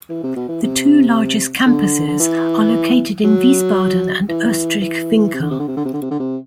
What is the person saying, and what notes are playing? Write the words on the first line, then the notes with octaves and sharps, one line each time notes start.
The two largest campuses are located in Wiesbaden and Oestrich-Winkel.
E3
C3
B2
E3
C3
D3
D3
E3
F#3
E3
E3
C3
D3
C3
D3
C3
D3
C3
D3
C3
D3
C3